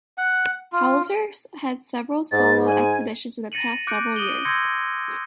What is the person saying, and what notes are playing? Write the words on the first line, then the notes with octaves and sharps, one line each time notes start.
Holzer had several solo exhibitions in the past several years.
F#5
F4
G#2 A6
G#5
A6 A#6 C#7 D#7 F#7
D6 F#6 G6 C#7 D7
D#6 D#7 F#7 G7
C6 E6 G6 G#6 A#6 C#7